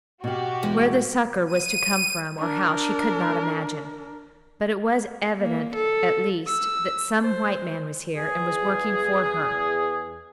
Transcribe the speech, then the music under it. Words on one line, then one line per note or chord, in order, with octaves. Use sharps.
Where the succour was to come from, or how, she could not imagine; but it was evident, at least, that some white man was here, and was working for her.
B2 F#4 G4 F5
E2 G#3
D#7
D4 A#4
A#3
A4
E6
C5
E2 G#4